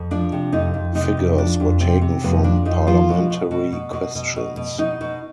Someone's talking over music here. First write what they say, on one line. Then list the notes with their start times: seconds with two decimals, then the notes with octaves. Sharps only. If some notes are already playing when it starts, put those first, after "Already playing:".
Figures were taken from parliamentary questions.
Already playing: F2
0.11 F3 D4
0.32 C3
0.52 F2 D#4
0.74 F2
0.95 C3 D#4
1.17 F2
1.38 F3 D4
1.60 F2
1.80 C3 C4
2.01 C3
2.23 F2 B3
2.44 F3 D4
2.65 F2 D#4
2.87 F3 F4
3.09 B2
3.30 B2
3.51 B2
3.72 B2
3.93 B2
4.15 B2
4.36 B2
4.57 B2
4.78 B2 D#4
5.01 B2